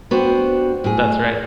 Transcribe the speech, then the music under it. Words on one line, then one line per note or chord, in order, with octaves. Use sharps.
That's right.
B3 D4 F#4 G4 C5
A2 G#4